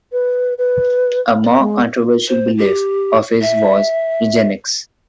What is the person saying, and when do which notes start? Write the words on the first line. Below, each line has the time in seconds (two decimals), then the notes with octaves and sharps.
A more controversial belief of his was eugenics.
0.12 B4
0.58 B4
1.59 G#3
2.28 C5
2.58 G4
3.42 E5